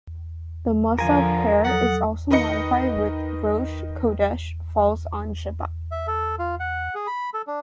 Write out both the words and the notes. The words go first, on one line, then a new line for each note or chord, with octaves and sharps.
The "Mussaf" prayer is also modified when Rosh Chodesh falls on Shabbat.
D3 F3 F4 A#4 G#5
F#3 A4 F#5 D#6
D#3 D#4 B4 D#5 C#7
E5
A4
F4
F#5
G#4
B5
A4
D4